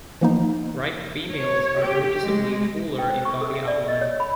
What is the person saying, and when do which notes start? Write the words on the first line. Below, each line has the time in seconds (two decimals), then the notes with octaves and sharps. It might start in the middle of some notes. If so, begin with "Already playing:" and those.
Ripe females are noticeably fuller in body outline.
0.21 E3 F3 A#3 B3 D#4
1.30 C#5
1.79 G4
2.22 G#3
2.98 G5
3.10 C5
3.25 C#6
3.41 A4
3.53 E5
3.68 D5
3.88 D#5
4.01 C#5
4.20 B5